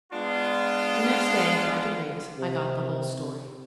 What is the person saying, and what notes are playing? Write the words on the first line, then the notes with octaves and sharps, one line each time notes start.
The next day, by degrees, I got the whole story.
G#3 B3 D4 F4
C3